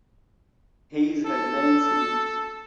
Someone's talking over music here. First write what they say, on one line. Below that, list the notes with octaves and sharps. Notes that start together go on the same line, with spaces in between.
Hayes had nine siblings.
A4